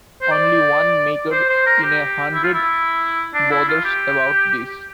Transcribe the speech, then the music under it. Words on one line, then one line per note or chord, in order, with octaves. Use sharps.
Only one maker in a hundred bothers about this.
C5
D5
C5
C5
A#4
G4
E4
F4
E4
D4
E4
F4
G4